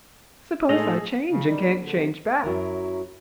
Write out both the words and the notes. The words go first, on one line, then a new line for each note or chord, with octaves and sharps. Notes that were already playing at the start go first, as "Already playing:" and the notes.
"Suppose I change and can't change back?"
A2 G#3 A3 D#4 G#4 D#5 F7
C#3
D#3 G3
A#1
D3
C3
F#2 F#3 E4 A#4